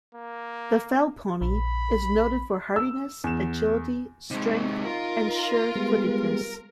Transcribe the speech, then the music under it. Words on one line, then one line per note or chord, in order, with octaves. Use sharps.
The Fell pony is noted for hardiness, agility, strength and sure-footedness.
A#3
A#1 B5
E6
E2 E7
C3 G#3 D#4
F4 A#4
G3 G#3 B3